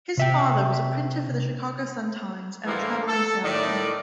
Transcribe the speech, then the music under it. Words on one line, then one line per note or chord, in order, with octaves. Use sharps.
His father was a printer for the "Chicago Sun-Times" and a traveling salesman.
C3 E5 G5
A2 D3 E3 F3 A#3
A4
A2 D#3 D5